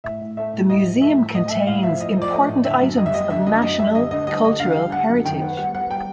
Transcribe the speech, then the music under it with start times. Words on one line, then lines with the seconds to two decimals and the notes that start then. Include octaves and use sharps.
The museum contains important items of national cultural heritage.
0.04 A2 E5
0.21 A2
0.37 A3 E5
0.54 A2
0.70 A2 D#5
0.86 F3
1.02 A3 E5
1.19 A2
1.35 A2 D#5
1.51 A2 E5
1.67 A2 F5
1.83 F3 E5
2.00 A2 D#5
2.16 F3
2.22 D5
2.33 A3 D#5
2.48 A2
2.65 D3 E5
2.82 F#2
2.98 G3 D#5
3.06 E5
3.14 G3 D#5
3.30 D3 E5
3.47 F#2 D#5
3.62 F#2 D#5
3.79 G3 E5
3.95 D3 D#5
4.11 D3 D#5
4.27 G3 D#5
4.44 D3 D#5
4.60 D3 F5
4.76 G3
4.92 D3 F#5
5.09 F#2
5.25 D#3 G5
5.42 B3 F#5
5.57 G3 F#5
5.74 B3 F#5
5.90 G3 G5